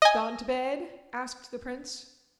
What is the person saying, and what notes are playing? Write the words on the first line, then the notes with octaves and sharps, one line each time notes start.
"Gone to bed?" asked the prince.
D#5 G#5